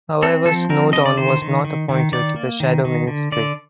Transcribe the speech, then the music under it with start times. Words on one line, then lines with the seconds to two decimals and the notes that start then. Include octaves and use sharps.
However, Snowdon was not appointed to the shadow ministry.
0.22 C4 A4
0.45 F3 A4
0.70 C4 A#4
0.93 D3 D#5
1.06 D5
1.17 D#3 C5
1.42 D#3
1.65 D#3
1.89 D#3
2.12 D#3 D5
2.36 A#3
2.60 D#3
2.85 D#3
3.08 D3
3.32 D3 D5